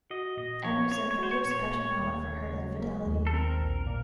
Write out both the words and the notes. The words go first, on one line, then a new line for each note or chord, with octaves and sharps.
Emerson forgives Petronella for her infidelity.
F#4 D#5
A#2 D#5
F3 C#5
C4 C#5
C#5
F#4 C5
C#5
A#2
C#5
A#3 C#5
D#2
C#3
F#3
A#3
D#2
A4
C4 A#4
A#1
A#2